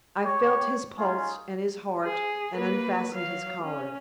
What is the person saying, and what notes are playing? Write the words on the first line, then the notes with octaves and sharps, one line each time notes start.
I felt his pulse and his heart, and unfastened his collar.
G4 C#5
C#4 D#4 F4 G#4
G#4
A#3 B4
F#3 F5
C#4